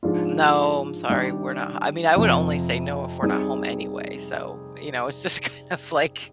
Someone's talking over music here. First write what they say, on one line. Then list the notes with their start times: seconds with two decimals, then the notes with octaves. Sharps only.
"No, I'm sorry, we're not h" I mean, I would only say no if we're not home anyway, so, you know, it's just kind of, like,
0.03 G#2 F3 G#3 D4 F4
1.10 D#3 G3 D4 G4
2.16 F2 C3 F3
3.22 G3 C4 D#4 G#4